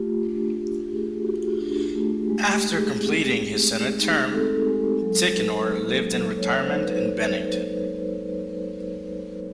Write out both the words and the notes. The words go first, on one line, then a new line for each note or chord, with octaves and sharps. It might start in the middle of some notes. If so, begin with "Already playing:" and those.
After completing his Senate term, Tichenor lived in retirement in Bennington.
Already playing: A3 F4 G4
D4
A3
A3 G#4
F#4
F4 G4
D4
A3
G#3 G4
G4
D#4
G#4
C4
G#3
G#3
D#4
C4 A4
G#3 G4
F#3 A4
D#4 B4
A#3 C5
F#3
F#3 C#5
C5
D#4
B4